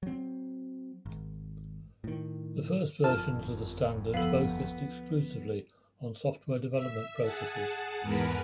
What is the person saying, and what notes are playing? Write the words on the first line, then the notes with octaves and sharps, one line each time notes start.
The first versions of the standard focused exclusively on software development processes.
F#3 C4
G#1
A2 D#3
G1 F2 D4 F4 A#4 A5 F6
D2 F3 B3 A4 F5 B6
E5
G#4 F#5 A5
E2 G#2 A#4 B4